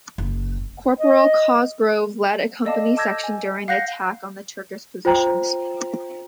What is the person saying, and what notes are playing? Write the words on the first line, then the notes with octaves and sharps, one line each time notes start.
Corporal Cosgrove led a company section during the attack on the Turkish positions.
F#1
D#5
A4 D5 D#5 F5 A5 D6
A5 D6 E6 G6 G#6 A#6
G#5
F5 F#5 F#6 G6 A#6
F4 C5 G5 A#5